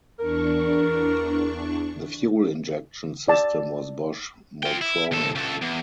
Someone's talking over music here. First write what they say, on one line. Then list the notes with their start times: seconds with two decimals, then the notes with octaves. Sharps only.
The fuel injection system was Bosch Motronic.
0.19 E2 D4 A#4 C#6
3.28 D5 A5
4.63 F4 G5
4.81 E4
5.12 D#2 A4
5.35 C#2 A4
5.61 E2